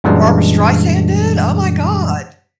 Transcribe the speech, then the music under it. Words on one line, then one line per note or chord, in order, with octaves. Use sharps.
Barbara Streisand did? Oh, my God.
F#2 A#2 E3 G3 G#3 D4